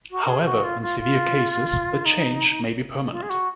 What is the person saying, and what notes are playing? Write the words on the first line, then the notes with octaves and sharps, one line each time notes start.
However, in severe cases, the change may be permanent.
F#4
A#4
G#4
F#4
F4
F4
F4
D#4
F4
G#4
F#4